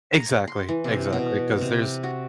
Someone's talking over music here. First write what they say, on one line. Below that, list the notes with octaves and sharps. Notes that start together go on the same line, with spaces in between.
Exactly, exactly. 'Cause there's
A#5
C6
E3
C3
B2
C3
F#4